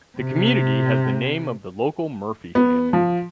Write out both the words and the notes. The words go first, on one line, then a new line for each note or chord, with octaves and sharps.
The community has the name of the local Murphy family.
C3
B3
F3